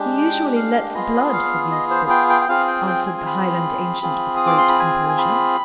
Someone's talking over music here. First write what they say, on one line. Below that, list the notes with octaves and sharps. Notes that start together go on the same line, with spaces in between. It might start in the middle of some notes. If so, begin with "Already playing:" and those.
'He usually lets blood for these fits,' answered the Highland ancient with great composure.
Already playing: G#3 D4 G4
G5
F5
B3 F4 G#4 D#5
F5
D#5
C5
G5
G5
G5
C4 F4 G#4 F5
G5
G5
G#5
G#5
B5
C4 F4 G#4
D#6
D6
C6
B5
G#5
G#5
B5